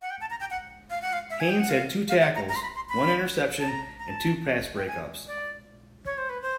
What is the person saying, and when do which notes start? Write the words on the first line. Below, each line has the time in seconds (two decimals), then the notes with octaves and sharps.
Haynes had two tackles, one interception, and two pass breakups.
0.02 F#5
0.10 G5
0.21 A5
0.30 A#5
0.40 G5
0.51 F#5
0.90 F5
1.02 F#5
1.13 F5
1.30 E5
1.40 G#5
1.49 G5
1.59 F#5
1.70 F5
2.09 F5
2.22 F#5
2.35 A#5
2.49 A#5
2.56 C6
2.62 B5
2.76 C6
2.89 B5
3.60 A5
3.69 A#5
3.99 A#5
4.08 A5
4.76 G5
4.87 G#5
5.27 D5
6.05 C#5
6.18 C5
6.29 B4
6.42 C5